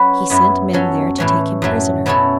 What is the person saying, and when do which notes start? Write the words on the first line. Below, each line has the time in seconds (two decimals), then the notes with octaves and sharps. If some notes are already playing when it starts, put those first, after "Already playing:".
He sent men there to take him prisoner.
Already playing: F#3 C#4 F#4 B4
0.30 F#2 F#3 B3 E4
0.73 F#3 C#4 A4
1.18 A2 E3 C#4
1.62 F#2 F#3 A3
2.06 B2 F#3 C#4 E4 A4